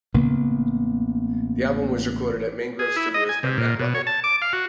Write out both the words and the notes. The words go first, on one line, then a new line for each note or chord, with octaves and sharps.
The album was recorded at Mangrove Studios by Matt Lovell.
A1 C#3 A#3 B3
G#4
E4
D#5
G#5
C3
A#2
B2
C#5
A5
D6
F5
F#4